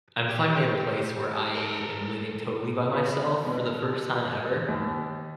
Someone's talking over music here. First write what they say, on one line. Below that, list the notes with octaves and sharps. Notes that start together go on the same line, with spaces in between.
I'm finally at a place where I am living totally by myself for the first time ever.
G4
A4 A#4
B3
B2
D#2